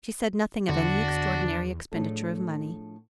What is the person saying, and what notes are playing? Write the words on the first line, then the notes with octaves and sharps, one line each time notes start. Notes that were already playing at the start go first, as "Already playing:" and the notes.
She said nothing of any extraordinary expenditure of money.
E2 D3 D4 F#4
A2 F3 A3 D4 G#4 A4